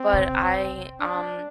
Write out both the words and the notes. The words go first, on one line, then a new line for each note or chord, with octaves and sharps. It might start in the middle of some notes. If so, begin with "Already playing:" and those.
But I, um
Already playing: C4
C3
D4